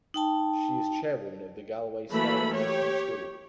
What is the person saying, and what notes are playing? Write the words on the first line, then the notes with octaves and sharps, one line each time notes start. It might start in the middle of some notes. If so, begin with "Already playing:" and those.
She is chairwoman of the Galway Steiner National School.
D#4 G5 A5
E3 F#3 A3 A#3 A4 B5
G4 C#5